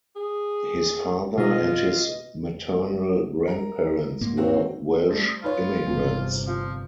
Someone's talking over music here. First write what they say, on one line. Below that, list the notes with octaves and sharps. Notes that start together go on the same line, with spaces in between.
His father and his maternal grandparents were Welsh immigrants.
G#4
B2 F4 D#5
A#4
G#2 A#3
C4 F#4 F5
G3 A3 C5
D#4 F4 B4 C#5
G1 E2 C3
F3 F4